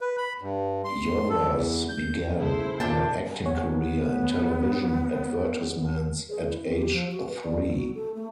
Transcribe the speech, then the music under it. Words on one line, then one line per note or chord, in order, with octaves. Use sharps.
Yothers began her acting career in television advertisements at age three.
B4
B5
G2
C6
A4
E2
G6
C#3 E4 G#4 A4 C5
A#2 D4 G5 A5
B3 C#5 F#5 G#5
G#4
E4
C4
G4
F3
F#4
B4
D5
F3
F#4
A4
A3